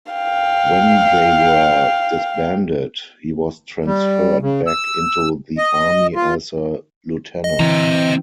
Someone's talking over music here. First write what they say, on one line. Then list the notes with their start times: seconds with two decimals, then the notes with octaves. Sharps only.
When they were disbanded, he was transferred back into the Army as a lieutenant.
0.13 F5 G5
3.86 G3
4.42 C#3
4.67 E6
5.58 D#5
6.15 F4
7.44 D#5
7.60 E3 C4 A#5